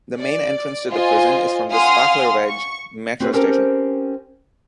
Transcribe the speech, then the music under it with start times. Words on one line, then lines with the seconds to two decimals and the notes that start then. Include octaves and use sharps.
The main entrance to the prison is from the Spaklerweg metro station.
0.17 D5
0.90 F4 C5 D#5 G#5
1.71 F5 F#5 G#5 C6 D#6 F6
2.47 C#6
3.20 C4 F#4 G4 B4
3.33 C4 C#4 G4 A4 A#4 C5